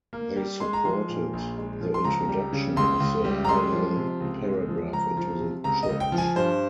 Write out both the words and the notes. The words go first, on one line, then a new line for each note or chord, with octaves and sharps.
They supported the introduction of the Aryan Paragraph into the Church.
A#3
G3
G#3 C6
A#5
F3 C6
A#2
A#1
G#3
F3
C6
C#2 A#5
G3
C#3
C#2 C6
C#2
G3
A#5
G#3 C6
F3
C3
C#2
G#3
F3
C#2 A#5
F3
C3
C#2 A#5
D#5
C#2
G5
F3
G#5
G2 C5